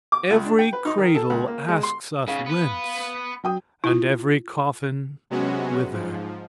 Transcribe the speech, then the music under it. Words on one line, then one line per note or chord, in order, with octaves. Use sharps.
Every cradle asks us "Whence?" and every coffin "Whither?"
D6
C#2
D4
G5
B4
D#4
D#3
A4
C#2
A#3
G#3
C6
G#2 C#3 F5
B3 B4
F#3 G5 D#6
E4 F4
C3 F#3 G#3 B3 C#4 F#4
G#2 F3